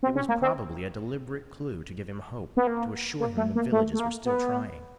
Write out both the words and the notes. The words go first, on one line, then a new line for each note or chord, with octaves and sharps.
It was probably a deliberate clue to give him hope, to assure him the villages were still trying.
C4
C#4
A#3
C4
B3
A#3
A#3
A3
A#3
A3
A3
A#3
B3